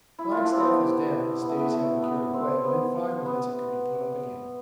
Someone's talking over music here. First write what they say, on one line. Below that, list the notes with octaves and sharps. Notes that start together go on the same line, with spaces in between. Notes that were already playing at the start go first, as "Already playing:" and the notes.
The flagstaff was down, the stays having carried away, but in five minutes it could be put up again.
E4
F4
E4
D4
C4
B3
G4
B3
A3
B3
A3
B3
C4
B3
B3